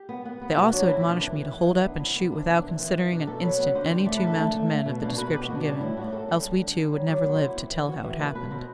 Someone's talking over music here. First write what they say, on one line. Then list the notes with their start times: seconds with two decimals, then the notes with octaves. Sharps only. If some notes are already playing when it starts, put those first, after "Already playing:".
They also admonished me to hold up and shoot without considering an instant any two mounted men of the description given, else we two would never live to tell how it happened.
Already playing: G4
0.09 B3
0.25 B3
0.41 B3
0.56 B2 F#4
0.72 F#3 D4
0.88 C4 E4
1.00 E4
1.05 B2
1.10 D4
1.21 E3 C4
1.36 E3
1.53 E3
1.68 E3
1.85 B3 D4
2.00 C3 E4
2.16 B3 C4
2.32 C3 D4
2.47 B3 D4
2.58 D4
2.63 E3
2.69 C4
2.80 E3
2.95 E3
3.11 B2 D4
3.19 G4
3.27 B2 A4
3.43 F#3 B4
3.58 B3
3.75 D3 C5
3.90 C4 C5
4.06 A3 D5
4.17 B4
4.23 D3 A4
4.38 A3
4.54 A3
4.71 A3
4.86 B2
5.01 B2 D4
5.18 B2 B4
5.33 B2 G4
5.44 F#4
5.50 B2 D4
5.65 G3 D4
5.81 A2 E4
5.97 A2 F#4
6.07 G4
6.12 C4 A4
6.29 G3 A4
6.45 G3
6.60 D3
6.77 G3
6.92 F#3 B4
7.08 F#3 D5
7.24 B3 D5
7.35 C5
7.41 B3 E4
7.56 C4
7.72 E3
7.87 C4 F#4
8.04 E3 G4
8.19 B2 B4
8.35 B2 B4
8.51 B2 C5